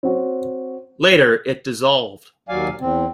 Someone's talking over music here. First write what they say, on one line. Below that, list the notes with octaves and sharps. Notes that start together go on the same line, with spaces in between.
Later it dissolved.
C4 F#4 C#5
D#2 F#3 D5 F5 G#5
E2 C4